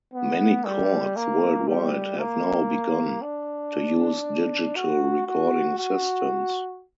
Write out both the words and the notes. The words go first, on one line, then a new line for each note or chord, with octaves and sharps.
Many courts worldwide have now begun to use digital recording systems.
B3
G3
A#3
G3
A#3
D4
F#4
F#4
F#4